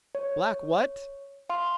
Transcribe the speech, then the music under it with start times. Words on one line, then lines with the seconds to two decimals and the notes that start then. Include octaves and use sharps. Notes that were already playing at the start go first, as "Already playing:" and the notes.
"Black what?"
0.15 C#5
1.50 F5 C6